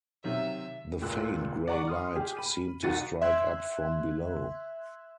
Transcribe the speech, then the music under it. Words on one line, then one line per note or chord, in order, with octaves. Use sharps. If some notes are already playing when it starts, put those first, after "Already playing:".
The faint grey light seemed to strike up from below.
C3 D#3 F#3 E5
C#2 A#2 E6 F#6
D5 F#5 A#5 C#6
C6 D#6 F6
G4 G#4
B5 D#7
C2 D#3 F#4 A6 C#7 D#7
E5 C6 E6 F#6 G#6